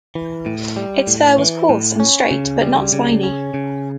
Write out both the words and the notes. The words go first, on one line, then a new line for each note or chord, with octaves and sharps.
Its fur was coarse and straight, but not spiny.
E3
A2
G3
A2
E3
A2
C#4
C#3
G3
C#3
C#4
C#3